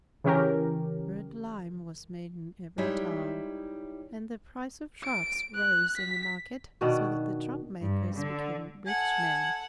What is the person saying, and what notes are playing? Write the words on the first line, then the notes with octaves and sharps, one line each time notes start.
Bird lime was made in every town, and the price of traps rose in the market so that the trap-makers became rich men.
C#3 E3 C#4 G4 A#4
G3 G#3 D#4 E4 C#5 E5
D7
F#6
B6
B2 D#3 D4 F#4
G2
D3
A4 F#5 G#5